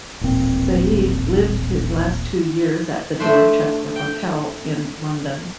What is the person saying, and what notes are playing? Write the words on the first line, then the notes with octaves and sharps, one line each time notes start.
Said lived his last two years at the Dorchester Hotel in London.
D#1 A1 A#2 C4
A3 D4 C5 E5
G5